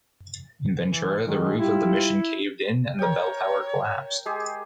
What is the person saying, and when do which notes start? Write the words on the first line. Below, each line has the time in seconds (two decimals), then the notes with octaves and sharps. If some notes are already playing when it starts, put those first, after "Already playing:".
In Ventura the roof of the mission caved in and the bell tower collapsed.
0.86 E3
1.25 D#3 F#3 G#3
1.58 G3 E4 F4 G4
2.99 A#4 C#5 G5
4.26 G#3 G4 G#4